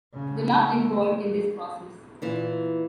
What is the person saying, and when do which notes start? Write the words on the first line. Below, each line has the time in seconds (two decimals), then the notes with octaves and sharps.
The love involved in this process.
0.13 C#3
0.55 A3
2.22 A#2 E3 E4